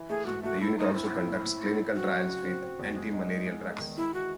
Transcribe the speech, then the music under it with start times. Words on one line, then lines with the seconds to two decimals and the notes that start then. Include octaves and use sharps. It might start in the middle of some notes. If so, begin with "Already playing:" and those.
The unit also conducts clinical trials with antimalarial drugs.
Already playing: E3
0.09 A3 G#4
0.26 G#2 F#4
0.43 A3 F#4
0.60 A3 E4
0.77 A3 D#4
0.94 C4 E4
1.11 A2
1.28 A2
1.45 A2
1.61 A2
1.78 A2
1.94 C4 F#4
2.12 C4
2.29 C#3
2.45 C4
2.62 C4
2.79 E2
2.96 G#3
3.13 D#4
3.30 D#4
3.46 G#3
3.63 D#4
3.80 D#3
3.97 G#3 E4
4.14 E3 F#4